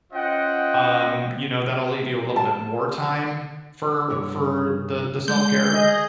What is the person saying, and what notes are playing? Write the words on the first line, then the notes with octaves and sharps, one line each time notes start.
um, you know, that'll leave you a little bit more time for for the the self-care,
C#4 F4 C5 D#5 F#5 G5
A5
C2 G2 C#5
G#3 G6
G#4 D#5